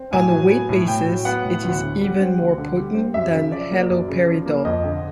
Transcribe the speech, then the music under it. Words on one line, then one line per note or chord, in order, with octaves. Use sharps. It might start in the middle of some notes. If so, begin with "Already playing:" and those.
On a weight basis it is even more potent than haloperidol.
Already playing: C4
A2 G#5
F#3
B3
A2
A2 G5
F#3
B3 F#5
A2
D2
D3
G3
C4
D2
D3
G3
C4
F#2 E5
C#3
F3 D5
A#3
F#2
C#3
F3
A#3
F2 D#5
D3